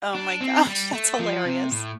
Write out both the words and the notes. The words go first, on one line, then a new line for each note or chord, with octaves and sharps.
Oh my gosh, that's hilarious.
D4
C4
G3
A3
F3
C3
A2